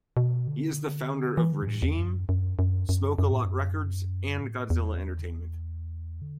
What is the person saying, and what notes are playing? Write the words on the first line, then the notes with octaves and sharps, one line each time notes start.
He is the founder of The Regime, Smoke-A-Lot Records and Godzilla Entertainment.
B2
D3
E3
D3
F#2
A2
E2
F#2
F#2
F#2
F#2
F#2
A2
F#2
A2
E2
D3